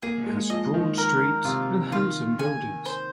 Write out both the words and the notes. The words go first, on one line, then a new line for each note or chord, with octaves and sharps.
It has broad streets and handsome buildings.
A#3 G#4
G#3
F3 D#5
D#3
A#4
C3 F4
D#3 F4
G#5
C5